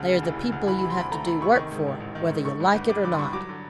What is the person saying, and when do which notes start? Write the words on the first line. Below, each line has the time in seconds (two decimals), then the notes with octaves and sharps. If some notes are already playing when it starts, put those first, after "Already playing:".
They are the people you have to do work for, whether you like it or not.
Already playing: D2 C#3
0.09 E1
0.23 E3
0.38 C#3
0.52 D2
0.67 E3 B5
0.78 C3 B5
0.90 C6
0.97 D2 B5
1.11 A3 A#5
1.26 E3 B5
1.41 C3 C#6
1.56 D#3 C#6
1.71 G#2
1.86 A1
2.00 A1
2.15 D#3
2.30 G#2
2.45 D3 C#6
2.60 G2
2.74 G1
2.90 G3 D6
3.04 D3 D6
3.12 C6
3.18 G2 C#6
3.33 F#3 D6
3.49 D3